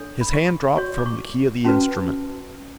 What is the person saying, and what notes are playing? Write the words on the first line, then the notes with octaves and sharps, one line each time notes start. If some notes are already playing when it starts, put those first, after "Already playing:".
His hand dropped from the key of the instrument.
Already playing: D4 A4 C#5
B5
C#6
F#4 C#5 C#6
D6
C#6
C#4 F#4 B4 A5